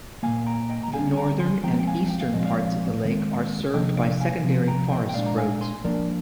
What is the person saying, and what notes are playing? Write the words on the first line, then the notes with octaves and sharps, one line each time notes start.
The northern and eastern parts of the lake are served by secondary forest roads.
A#2 F3 A#3 F5 G#5
G5 A#5
D#5 G5
A#5
D3 G3 C4 F5 G#5
G5 A#5
G#5 C6
F3 G#3 C4 G5 A#5
G5
F5 G#5
G5
F5
A#2 F3 G#3 C4 D#5
D5 F5
D#3 G#3 C4
C3 F3 A#3 D4 D#5 G5
D5 F5
F5 G#5
C3 F3 C4
G5 A#5
D#5 G5
G5
A#2 G#3 D4 D5 F5
A#5
F5 G#5
G#5 C6
F3 A#3 D4 A#4 D5